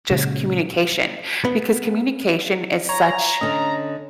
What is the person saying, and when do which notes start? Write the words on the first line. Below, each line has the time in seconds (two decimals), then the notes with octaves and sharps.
just communication because communication is such
0.10 A#2 C#3 G#3
1.45 B3
2.89 C#5 A#5
3.41 D3 C#4 D#5